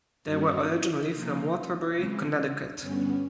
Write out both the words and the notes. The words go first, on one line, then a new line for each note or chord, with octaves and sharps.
They were originally from Waterbury, Connecticut.
G2 D#3 G3 A#3 C#4 F#4
E4
C3 F3 A#3 D#4
C#3 E3 G#3 C4
G2 D3 G3 B3 C#4